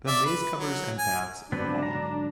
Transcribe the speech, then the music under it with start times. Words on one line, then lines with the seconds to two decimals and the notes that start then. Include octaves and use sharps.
The maze covers and paths are long.
0.07 D5 E5
0.26 B4
0.57 F#3
0.98 G#5
1.52 G#2 D3 F#3 B3 C4 D4 B4
1.83 A#5